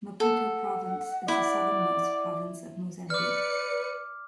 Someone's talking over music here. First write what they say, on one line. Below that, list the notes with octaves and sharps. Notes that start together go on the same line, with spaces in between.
Maputo Province is the southernmost province of Mozambique.
A4 F#5
E4 D5
B4 D5 D6 F6 C#7